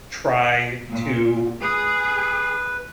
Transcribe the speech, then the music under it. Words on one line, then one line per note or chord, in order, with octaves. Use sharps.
try to,
A#2
G#4 B4